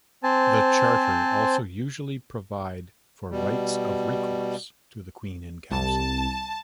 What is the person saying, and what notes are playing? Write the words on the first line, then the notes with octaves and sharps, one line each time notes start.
The charter also usually provide for rights of recourse to the Queen in Council.
C4 C5 G#5 A5
B2 G3
C2 A5